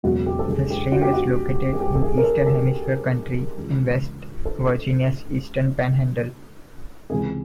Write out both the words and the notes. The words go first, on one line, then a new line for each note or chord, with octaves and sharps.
The stream is located in eastern Hampshire County in West Virginia's Eastern Panhandle.
E1 E2 C#3 F#3 A#3 F#4
G4
A4
G#4
G4
F#4
G4
F#4
G#4
G4
A4
G#4
A#4
A4
A4
C#2 C#3 E3
A4
C#2 C3 E3 G#4